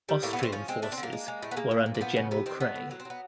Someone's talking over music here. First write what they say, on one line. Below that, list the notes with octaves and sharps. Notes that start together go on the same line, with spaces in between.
Austrian forces were under General Kray.
G3
A2 A#3
B3
A2 C4
F3 C#4
G#3 C4
A3 D4
C4
D3
A#3
G#3
G#3
A2 A3
B3
G#3 A#3
A#2
A#2
A#3
F3 B3
C#3
C3 B3
D#3 C4
A3 B3
A2
F#3
C4
F#3 B3